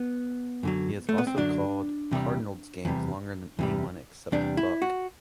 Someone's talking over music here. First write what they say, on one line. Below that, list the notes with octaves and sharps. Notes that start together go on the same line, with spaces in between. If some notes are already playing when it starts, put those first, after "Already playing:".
He has also called Cardinals games longer than anyone except Buck.
Already playing: B3
F#2 D3 F#3
A3
B3
C4
F#2 D3 F#3 D4
E2 C3 G3
E2 C3 G3
E2 C3 G3
E2 C3 G3 D4
E4
F#4